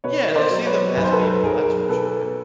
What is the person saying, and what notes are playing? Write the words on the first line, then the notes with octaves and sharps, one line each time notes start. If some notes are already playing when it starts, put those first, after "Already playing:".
Yeah, they'll see them as people, that's for sure.
B2 B4 C#5
C5 D5
F#3
B4 C#5
B1 B4
C5
A4 B4
B1 G#4 A#4
B2 A4 B4